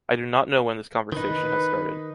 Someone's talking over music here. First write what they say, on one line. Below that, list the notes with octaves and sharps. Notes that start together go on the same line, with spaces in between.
I do not know when this conversation has started.
D#3 D#4 B4